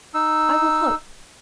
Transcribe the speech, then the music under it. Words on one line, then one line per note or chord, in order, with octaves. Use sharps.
I will hope.
D#4 E6